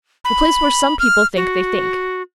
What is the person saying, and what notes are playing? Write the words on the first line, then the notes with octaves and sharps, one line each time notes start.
The place where some people think they think.
B5
F6
F#4